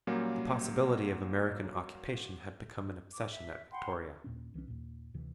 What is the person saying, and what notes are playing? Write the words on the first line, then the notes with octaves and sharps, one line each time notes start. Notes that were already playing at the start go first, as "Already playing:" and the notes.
The possibility of American occupation had become an obsession at Victoria.
A#2 F#3 G3 A#3 C#4
D6
E5
F#5 G5 B5 C6
D#2 A#2 C#4
C2 E3 F3 C#4
D#2 A#2
D2 C3 E3